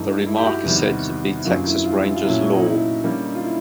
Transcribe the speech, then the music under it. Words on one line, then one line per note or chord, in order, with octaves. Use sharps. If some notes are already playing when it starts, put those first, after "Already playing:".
The remark is said to be Texas Rangers lore.
Already playing: G2 E3 A3 D#4
E4
G4
F#4
E2 C3 D#3 G3
E4
F#2 D3 F#3 A#3 C#4 F4
E4
F4
E4
F4
A#2 F#3 A3 C#4 E4
D#4
E4
D3 G3 A#3 C#4
D#4
F4
E4